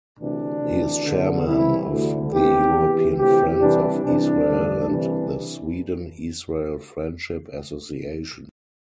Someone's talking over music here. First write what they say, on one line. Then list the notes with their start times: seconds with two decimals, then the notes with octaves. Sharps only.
He is Chairman of the European Friends of Israel and the Sweden-Israel Friendship Association.
0.19 D2 C3 E3 D4
0.61 D2 C3 E3
1.05 E2 D3
1.47 C2 C3 E3 E4
1.90 D2 D3
2.32 E2 C3 E3 G4
2.76 E2 E3
3.17 D2 C3 E3 G4
3.60 C2 C3 E3 D4
4.03 C2 C3 E3 D4
4.46 A1 G2 D3
4.88 C2 C3 E3